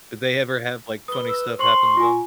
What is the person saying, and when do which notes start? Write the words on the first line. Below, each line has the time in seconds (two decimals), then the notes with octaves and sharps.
Did they ever have, like, funny stuff happen to them?
1.08 B4 D#6 G7
1.29 E6
1.59 C5 C6 C#6 F#7
1.97 F4 G#5